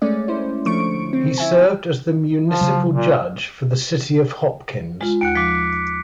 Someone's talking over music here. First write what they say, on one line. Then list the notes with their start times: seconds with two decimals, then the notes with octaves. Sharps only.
He served as the municipal judge for the city of Hopkins.
0.02 G#3 A3 C#4 D5
0.28 C#4 E4 C5
0.66 D3 F3 A3 C#6 D7
1.13 C4
1.38 E4 E5 G#5
2.49 F3
2.61 C#3 F#3
2.93 A#2
5.01 G#3 F4
5.21 D#2 F#5 F#6 C#7 D7
5.35 F3 D6 B6